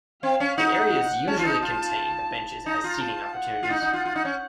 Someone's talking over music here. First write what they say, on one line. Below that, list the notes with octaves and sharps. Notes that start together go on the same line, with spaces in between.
The areas usually contain the benches as seating opportunities.
C4 F5
C#4
D#4 F#5
C#4 A5
F4
D#4
F4
D#4 A#5
F4
A5
F#5
F4
D#4
D#4
F4
F4
D#4
C#4